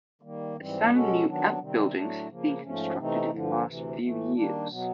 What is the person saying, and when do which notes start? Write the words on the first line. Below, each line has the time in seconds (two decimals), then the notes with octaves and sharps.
Some new outbuildings have been constructed in the last few years.
0.21 D#3 G3 A#3
0.56 G#2 E3 G3 C4
0.90 B2 G#3 C#4 F#4 A4
1.25 D#3 F#3 B3 D4
1.59 C3 D#3 G3 C4
1.93 A2 F#3 A3 D4
2.28 C#3 F3 A#3
2.62 G#2 F3 A3 C#4
2.96 C3 E3 A3 C4 D#4
3.30 G2 D3 F3
3.64 D2 C3 E3
3.99 A2 E3 A3
4.33 D#3 G3 A#3 D4
4.67 B2 F#3 B3